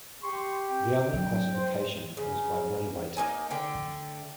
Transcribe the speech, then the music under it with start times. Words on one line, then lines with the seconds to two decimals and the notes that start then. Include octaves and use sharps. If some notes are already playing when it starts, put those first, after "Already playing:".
The only classification was by body weight.
0.23 G4 C6 C#6
0.70 C4 G5
1.13 F#3 D4
1.51 C5
2.17 C#3
3.17 A#3 D#4 G#5
3.50 D3 A3 G5